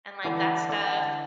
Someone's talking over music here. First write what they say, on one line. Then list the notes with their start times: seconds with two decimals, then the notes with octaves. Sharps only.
and, like, that stuff,
0.24 D3 E3
0.69 D3